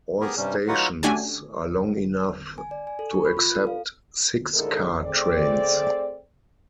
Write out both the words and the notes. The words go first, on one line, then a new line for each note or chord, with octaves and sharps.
All stations are long enough to accept six-car trains.
B3 G4 G#4 A#4
G2 C3 G3 C#4
F#3 D#4 F4 F#4 B4 F#5
A3 C#4 D4 F#4 G4 G#5
G#5
D5
G#5
A4
C#6
B5
F4
A4
F5
D#2 A2 D3 G#3 A4 A#4
A3 C4 G#4 D5